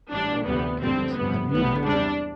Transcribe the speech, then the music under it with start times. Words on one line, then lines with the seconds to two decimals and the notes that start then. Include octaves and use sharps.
Oh my goodness, have you heard
0.12 A1 A2 G3 D4
0.46 D2 C3 E3 G3 B3
0.82 F2 D3 G3 C4
1.16 G1 F2 C3 G3 B3
1.52 B1 A2 G3 B3
1.86 E2 C3 G3 D4